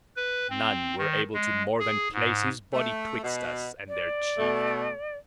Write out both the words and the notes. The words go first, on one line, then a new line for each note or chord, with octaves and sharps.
None were able to more than place his body 'twixt us and their chief.
B4
C4
D#3
G#3
G#4
G#2
A3
B2
D5
B2 A3